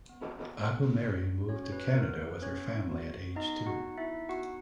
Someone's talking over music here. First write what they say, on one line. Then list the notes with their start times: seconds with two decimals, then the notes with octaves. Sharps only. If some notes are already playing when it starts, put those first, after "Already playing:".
Augimeri moved to Canada with her family at age two.
0.09 B3
0.55 B3
1.02 F#4
1.49 C#4 F#4 C#5
1.64 C#5
1.72 B4
1.95 B3 A#4
2.19 B4
2.42 B3 C#4 C#5
2.89 F#4
3.35 B3 D#4 D#5
3.66 F#4 F#5
3.83 D#4
3.98 E4 E5
4.29 B3 F#4 F#5